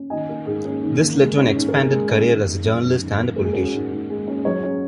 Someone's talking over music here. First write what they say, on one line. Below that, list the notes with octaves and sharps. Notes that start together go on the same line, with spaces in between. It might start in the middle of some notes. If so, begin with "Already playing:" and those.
This led to an expanded career as a journalist and politician.
Already playing: C#4
D#3 D#5 G#5
A#3
G#2 G#4
C#4
D#3
A#3
G#3
C#4
G#2
A#4
G#2 G#4
G#3
C#4
D#3
A#3
F#2
F#2
D#3
A#3
G#3 A#4
G#4
C#4 F#4 A#4
G#2
G#2
G#3
C#4
F#3 G#4 C#5
C#4